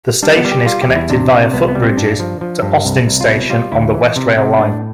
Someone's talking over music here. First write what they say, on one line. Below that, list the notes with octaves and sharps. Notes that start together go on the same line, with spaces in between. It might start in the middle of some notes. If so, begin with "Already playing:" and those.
The station is connected via footbridges to Austin Station on the West Rail Line.
G3 D4
B3
G3
G4
G3 F4
G4
E2
E4
C3 D4
C3
C2 B3
B3
G3
C4
G2 D4
F3
F3
G2
C2
C2
F4
B2 E4
G3 F4
D2 E4
E3
C3
C3
A2 D4